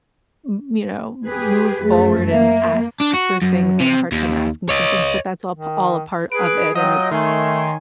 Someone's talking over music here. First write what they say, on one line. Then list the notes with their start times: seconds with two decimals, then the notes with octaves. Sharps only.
m m you know, m move forward and ask for things I have a hard time asking for things, but that's all p all a part of it, and it's
1.25 G4 G#4 B4
1.83 F#2 A3 G#4
2.31 A#3 E5
3.00 D4
3.14 F#4
3.42 F#2
3.80 C3
4.12 D#2
4.69 C#5 D#5
5.54 D#3
6.32 G#4 B4 D7
6.75 F#3 F4 D#5 G5
7.11 D#3 A3 C#5 G#5 C6